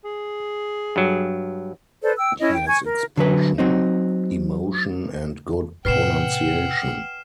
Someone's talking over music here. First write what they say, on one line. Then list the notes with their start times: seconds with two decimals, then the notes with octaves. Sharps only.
He has expression, emotion and good pronunciation.
0.04 G#4
0.96 G2 F#3
2.03 A4 B4 C5 D5
2.16 G5 E6
2.38 C#4 E4 D#5
2.53 G5
2.67 G#5 C#6 G#6
2.83 A#4
3.17 D3 F#3 B4
3.58 F#3 C4 D#4
5.85 A2 C3 B4 F#5 G5 F6 C7 E7